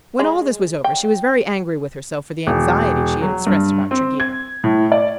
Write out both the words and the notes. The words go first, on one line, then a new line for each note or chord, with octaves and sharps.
When all this was over she was very angry with herself for the anxiety she had expressed about Tregear.
G#3
G5
E1
F#3
G2
C4
G#6
A2
D5